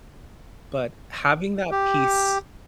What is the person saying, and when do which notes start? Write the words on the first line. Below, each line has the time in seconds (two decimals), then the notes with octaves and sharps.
but having that piece
1.71 G4